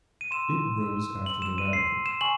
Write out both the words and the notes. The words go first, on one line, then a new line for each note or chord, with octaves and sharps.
It grows after the radicle.
D#7
C6 E6 E7
C6 E6
C6 E6 F#7
E7
D#7
E6 C7
C6
E7
G#5 C#6 F#7